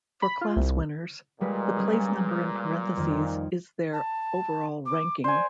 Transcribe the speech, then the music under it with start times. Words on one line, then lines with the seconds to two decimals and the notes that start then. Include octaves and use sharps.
For class winners, the place number in parenthesis is their overall ranking.
0.22 B5
0.41 F4
0.56 C2
1.41 A#2 G3 G#3 B4
1.76 G3 C#4 G#4
2.97 F2 D#3
3.93 A5
4.86 D6
5.24 C5 D5 G#5